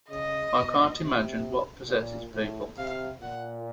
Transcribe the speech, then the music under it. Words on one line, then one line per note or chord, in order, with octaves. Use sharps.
I can't imagine what possesses people.
C#3 D#5
B2
C3
A#2
A2
C3 F5
A#2 F#5